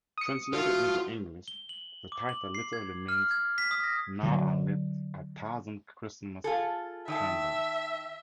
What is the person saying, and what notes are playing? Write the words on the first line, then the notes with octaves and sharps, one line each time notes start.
Translated into English, the title literally means "Now are lit a thousand Christmas candles".
D#6 C#7
F3 A3 F4 F#4 F6
G7
F#7
D6
F#7
C7
G#6
F6
G#6
B6
D#6
A#6
D3 F#3
F4 G#4 A4
D#3 D#5 E5 A5